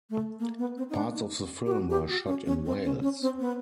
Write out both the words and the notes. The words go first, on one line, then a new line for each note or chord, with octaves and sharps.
Parts of the film were shot in Wales.
A3
A#3
B3
C4
D#4
D4
D#4
G4
F#4
G4
F#4
C#4
C#4
C4
C#4
C#4
C4
B3